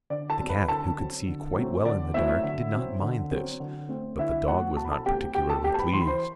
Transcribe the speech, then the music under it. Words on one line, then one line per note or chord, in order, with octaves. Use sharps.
The cat, who could see quite well in the dark, did not mind this, but the dog was not particularly pleased.
D3 D5
A4 A5
F#3 C4
B4 B5
D3 A4 A5
F#3 C4
D3
F#3 A3 C4
D3 D5
F#3 A3 C4 E4 E5
D3
F#3 C4
D3
F#3 C4
D3
A3 C4
D3 E4 E5
A3 C4 F#4 F#5
B2 A5
B5
A4 A5
A3 C4 G4 G5
B2 G4 G5
A4 A5
A3 C4 G4 G5
A5
B4 B5
E3 C6
B5
C5 C6